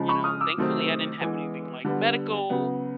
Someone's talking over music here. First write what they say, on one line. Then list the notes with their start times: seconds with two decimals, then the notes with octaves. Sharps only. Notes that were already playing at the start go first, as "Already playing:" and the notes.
you know, thankfully I didn't have anything like medical
Already playing: C#3 F3 G#3
0.08 B5 C#6
0.24 D#6 F6
0.41 D6 E6
0.57 C3 D#3 F#3 A3 C4
1.21 E3 G#3 B3
1.84 D3 G3 B3
2.50 C#3 F#3 B3